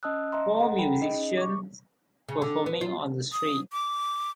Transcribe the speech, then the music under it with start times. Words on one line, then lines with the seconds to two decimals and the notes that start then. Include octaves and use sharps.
Four musicians performing on the street.
0.03 C#4 D#5 A5 D#6 E6 F#6
0.32 D#5 E5 A#5 C6
0.60 A4 F#5 A#5
0.78 G5 B5
1.01 C#4 D#4 G#4 D#5
1.38 C#6 D6
2.29 C#3
2.42 D3
2.66 B3
2.81 F4
3.33 D#6
3.72 D6